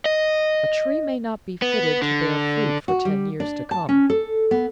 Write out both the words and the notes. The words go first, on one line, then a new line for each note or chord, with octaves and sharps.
A tree may not be fitted to bear fruit for ten years to come.
D#5
B3
D3
F#4
G3
D4
A5
C#4
A4
B3